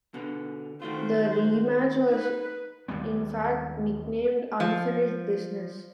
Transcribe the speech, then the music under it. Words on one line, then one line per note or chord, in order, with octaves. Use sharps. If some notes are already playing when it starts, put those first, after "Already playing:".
The rematch was, in fact, nicknamed "Unfinished Business".
B2 D3
D#3 A3 F4 F#4 C5
D#4 B4
D#2 G3 G#3 B3
F3